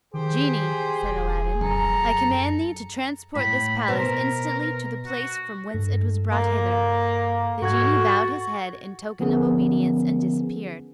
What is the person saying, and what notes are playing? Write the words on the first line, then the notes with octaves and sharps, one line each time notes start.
"Genie," said Aladdin, "I command thee to transport this palace instantly to the place from whence it was brought hither." The genie bowed his head in token of obedience, and disappeared.
D#3 G4 G#4 C5
E1
F#2 A4 A#5
A2 B5
B2 A#4 C5
F#4
G2 A4
A#3
G#2 F#4 A4 G#6
C#6 A6
D3 F3 B3 C#4 G#4 A#4